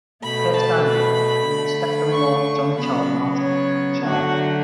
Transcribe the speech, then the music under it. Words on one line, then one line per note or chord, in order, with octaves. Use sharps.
Curtis died a year later and his stepson-in-law, John Charles Martin, took charge.
B2 A3 B5
A5
B5
D3 A3
B5
C#6
C#3 F#3 B3 B5
C#5
D3 F#3 A3 F#4